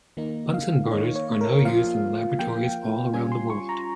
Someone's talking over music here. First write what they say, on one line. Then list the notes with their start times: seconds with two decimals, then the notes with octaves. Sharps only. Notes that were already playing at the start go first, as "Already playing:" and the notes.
Bunsen burners are now used in laboratories all around the world.
0.17 D#3 A#3 D#4
0.54 F5
0.91 D#3 A#3 D#4 C#5
1.16 C#5
1.41 A#4
1.65 F3 A#3 F4 F5
2.39 F3 A#3 F4 G5
3.13 G3 C#4 F4 G#5
3.32 C6
3.50 C#6
3.69 A#5